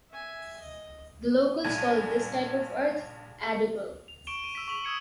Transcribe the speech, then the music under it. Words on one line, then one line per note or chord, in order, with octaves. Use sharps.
The locals call this type of earth "adable".
E5 G#5
D#5
A#1 G2 G#5
F7
C#6 D7 E7 G7
D#7
E6 B6
C#6 B6 F7 F#7
D#6 E6 G#6 C#7 E7